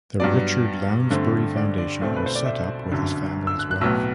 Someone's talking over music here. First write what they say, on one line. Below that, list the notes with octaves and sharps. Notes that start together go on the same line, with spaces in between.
The Richard Lounsbery Foundation was set up with his family's wealth.
G2 F#3 B3 D5
G2 D3 A3 C4
D5
D5
B1 B2 A3 C4
B4
C5
D5
E5
G1 F#2 D3
E6
F#6
F#6
B1 A2 F#3 B3 E6